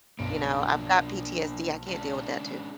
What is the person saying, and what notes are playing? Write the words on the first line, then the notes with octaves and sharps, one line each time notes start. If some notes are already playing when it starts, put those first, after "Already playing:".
you know? I've got PTSD, I can't deal with that too.
B1 B2 A#3 D4 F4 D7
G#3 C#4 D4